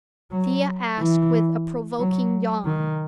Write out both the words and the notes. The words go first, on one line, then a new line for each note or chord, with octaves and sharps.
Thea asked with a provoking yawn.
F#3
E3
F#3
D#3